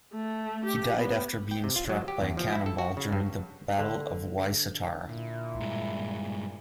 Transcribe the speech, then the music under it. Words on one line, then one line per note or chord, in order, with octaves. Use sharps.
He died after being struck by a cannonball during the Battle of Wai Satara.
A3
G4
B3
G5
C3
F4
F#3
G4
E2
F3
E4
A4
F#4
C#3
G2
D3
A#2 E4
G2 G#3